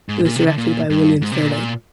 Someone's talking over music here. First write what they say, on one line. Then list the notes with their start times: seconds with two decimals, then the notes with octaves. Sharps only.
It was directed by William Sterling.
0.09 G#2
0.25 A#2
0.36 C3
0.47 D3
0.58 A#2
0.90 G2
1.22 G#2
1.32 C3
1.42 A#2